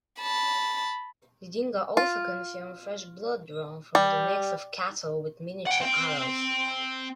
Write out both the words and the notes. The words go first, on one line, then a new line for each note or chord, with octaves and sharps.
Didinga also consume fresh blood drawn from the necks of cattle with miniature arrows.
A5 B5
F4
G3
F#5 G5
C4 G5